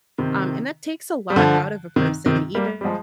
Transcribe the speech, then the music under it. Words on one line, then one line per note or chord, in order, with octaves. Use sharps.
um, and that takes a lot out of a person, even
C3 D#3
G3
D3 F3
C3 D#3
C3 D#3
G3 A#3
G3
F3 G#3